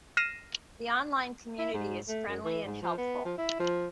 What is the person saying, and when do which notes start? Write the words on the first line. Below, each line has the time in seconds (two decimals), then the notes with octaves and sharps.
The online community is friendly and helpful.
0.17 F6 A#6 C7 D#7 E7
1.58 E4
1.73 G#2
2.08 A3
2.28 F#2
2.44 E3
2.66 G#2
2.82 F3
2.97 B3
3.25 F3
3.38 E4
3.59 F3